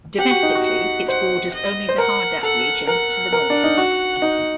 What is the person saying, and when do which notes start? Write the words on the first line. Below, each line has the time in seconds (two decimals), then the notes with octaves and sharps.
Domestically, it borders only the Hardap Region, to the north.
0.18 G4 F#5
0.31 F#4
0.43 D#4
0.55 F#4
0.64 F#5
1.08 C5 F#5
1.53 D#5
1.89 C5
1.98 A#4 F#5
2.43 A4 F#5
2.87 A#4 F#5
3.33 A#4
3.50 D4
3.64 D#4
3.78 F#4
4.22 D#4